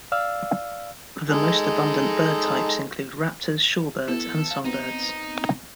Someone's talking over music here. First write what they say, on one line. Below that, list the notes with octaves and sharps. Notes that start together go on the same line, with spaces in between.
The most abundant bird types include raptors, shorebirds and songbirds.
D5 F5 E6 F6
G#3 D#4 A4
B3 E4 A4
F5
B3 C4 D#4